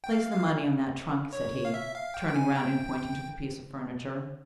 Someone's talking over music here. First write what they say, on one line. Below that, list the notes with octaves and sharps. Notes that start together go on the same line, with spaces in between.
"Place the money on that trunk," said he, turning round and pointing to the piece of furniture.
G5
F5
F5
C#5
F5
E5
F5
G5
G5
G#5
G5